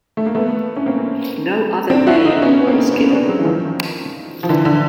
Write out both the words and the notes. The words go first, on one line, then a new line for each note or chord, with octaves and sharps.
No other name was given.
A3
A#3
A3 B3
C#4
A#3 C4
C4 D4
E4 F#4
D#4 F4
B3 C#4
B3
A#3 C4
B3 C#4
C4 D4
F#3 G#3
E3
D#3 F3
F3
D3 E3
D3